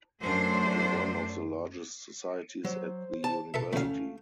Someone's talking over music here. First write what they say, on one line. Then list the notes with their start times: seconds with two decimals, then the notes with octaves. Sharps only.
It is one of the largest societies at the university.
0.21 F#2 A3 D4 C5
2.65 F#3 C5
3.24 A5
3.54 A4 B4 E5
3.73 D2 E3 A3 C#4 F5